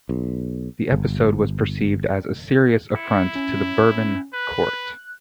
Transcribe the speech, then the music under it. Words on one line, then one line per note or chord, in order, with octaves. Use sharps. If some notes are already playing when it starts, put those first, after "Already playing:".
The episode was perceived as a serious affront to the Bourbon court.
B1
G1
E4 C#7
C#4
B4 F#6